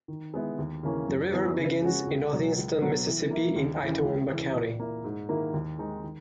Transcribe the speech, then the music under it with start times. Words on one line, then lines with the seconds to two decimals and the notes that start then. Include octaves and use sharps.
The river begins in northeastern Mississippi in Itawamba County.
0.08 D#3
0.34 G#3 B3 E4
0.59 D#2
0.83 C#3 E3 A#3 C#4
1.08 F#2
1.32 E3 B3 E4 G#4
1.58 C#3
1.82 G#3 C#4 F#4
2.07 C#2
2.32 B2 F#3
2.56 C#2
2.81 B2 F#3 B3
3.06 E3
3.31 A#3 E4
3.56 D#2
3.80 C#3 E3
4.05 C#2
4.29 C#3 E3
4.55 A#2
4.80 A#3 E4
5.04 G#2
5.29 D#3 A#3 E4 A#4
5.54 D#2
5.79 D#3 G#3 D#4
6.04 D#3